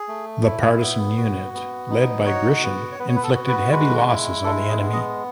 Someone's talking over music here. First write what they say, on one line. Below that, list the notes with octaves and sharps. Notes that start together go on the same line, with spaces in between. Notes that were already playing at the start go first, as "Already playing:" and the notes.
The partisan unit led by Grishin inflicted heavy losses on the enemy.
Already playing: G#4
A3
E4
B3
F#4
B3
D#4
F#4 C#5
B3
C#5
B3 B4
C#5
B4
A4
F#4
B4
G#3 B4
E4
G#3 A4
G#4
B3
D#5